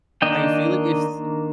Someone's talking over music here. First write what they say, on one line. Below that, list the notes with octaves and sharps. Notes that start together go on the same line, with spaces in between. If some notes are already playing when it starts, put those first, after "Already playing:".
I feel like if s
D#3 A#3 D4 D#5 G5